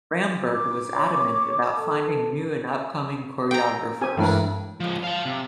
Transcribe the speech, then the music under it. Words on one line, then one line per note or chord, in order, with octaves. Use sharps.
Rambert was adamant about finding new and upcoming choreographers.
D6
C#5
A4
G5 A#5
C4 G4 G#5
G2 E3 G#3 A3 E4 A#4 A5
F3 G#3
F5 A5
C3